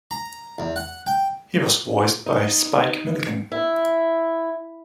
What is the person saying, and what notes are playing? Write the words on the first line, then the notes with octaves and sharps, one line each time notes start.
He was voiced by Spike Milligan.
A#5
E2
F#5
G5
D#4
E4